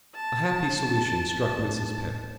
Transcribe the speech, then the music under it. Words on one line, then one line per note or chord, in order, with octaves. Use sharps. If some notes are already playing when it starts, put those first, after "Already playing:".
A happy solution struck Mrs. Pett.
A5
A2